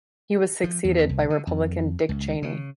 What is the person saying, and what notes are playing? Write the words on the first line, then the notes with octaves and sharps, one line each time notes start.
He was succeeded by Republican Dick Cheney.
F3
E2
C2
D3
F2
C#2
C#3